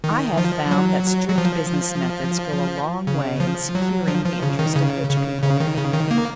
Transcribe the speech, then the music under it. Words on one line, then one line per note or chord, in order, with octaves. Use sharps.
I have found that strict business methods go a long way in securing the interest of rich people.
D#3
F3
F#3
F#3
F3
C#3
F3
F#3
F3
F3
C#3
D#3
C#3
C#3
C#3
D#3
C#3
D#3
A#3